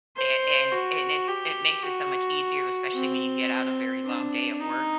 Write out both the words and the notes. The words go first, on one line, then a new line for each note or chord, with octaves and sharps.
a and and it's it makes it so much easier, especially when you get out a very long day at work.
C5
F#4
G4
F#4
C4
D4
D#4